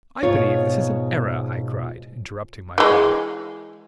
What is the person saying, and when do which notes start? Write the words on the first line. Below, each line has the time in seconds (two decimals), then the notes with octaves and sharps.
"I believe this is an error," I cried, interrupting my friend.
0.23 G#2 B2 F4 C#5
2.78 E3 G#3